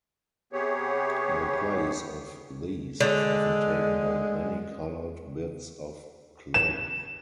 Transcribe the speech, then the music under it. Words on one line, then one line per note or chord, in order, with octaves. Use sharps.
The place of these is often taken by many-colored bits of cloth.
C3 B3 G4 G#4 C#5
D3 G#3
E7